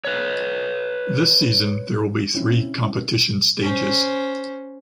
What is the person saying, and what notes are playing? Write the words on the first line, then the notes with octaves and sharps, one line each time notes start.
This season there will be three competition stages.
B4 C#5
C#3 C4 C#4 E4
C#4 C5